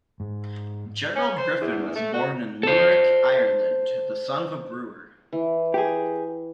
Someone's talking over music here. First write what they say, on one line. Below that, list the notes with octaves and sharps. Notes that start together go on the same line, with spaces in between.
Gerald Griffin was born in Limerick, Ireland, the son of a brewer.
G#2
C#4
C5
E2
A3
F#4
A4 C5
E3
G4 G#4